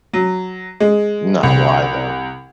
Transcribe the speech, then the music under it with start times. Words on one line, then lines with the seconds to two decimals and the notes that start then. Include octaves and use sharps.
Not why though
0.13 F#3
0.80 G#3
1.43 C2